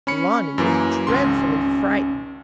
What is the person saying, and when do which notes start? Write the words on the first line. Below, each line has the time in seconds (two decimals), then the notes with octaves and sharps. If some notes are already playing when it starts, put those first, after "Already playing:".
Lonnie was dreadfully frightened.
0.07 C#4 B5 C#7
0.58 F#2 E3 A#3
1.07 G#1 C#2 C#4 C6